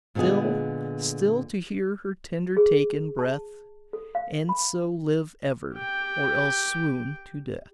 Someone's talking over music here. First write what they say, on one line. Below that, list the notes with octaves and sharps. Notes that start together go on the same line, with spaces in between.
Still, still to hear her tender-taken breath, And so live ever,--or else swoon to death.
A#2 D3 G#3 B3 G#4
G#4
A5
A4
F5
B5
G4 G5